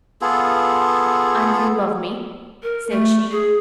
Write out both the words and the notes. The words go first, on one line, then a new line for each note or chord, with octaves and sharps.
"And you love me?" said she.
B3 F4 G#4 A4
A#4
A3
G#4